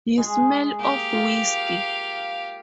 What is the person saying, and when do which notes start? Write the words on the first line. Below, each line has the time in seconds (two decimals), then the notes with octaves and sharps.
You smell of whiskey.
0.18 G#3 G#4
0.79 A#3 G4 F5
1.12 A#3 F4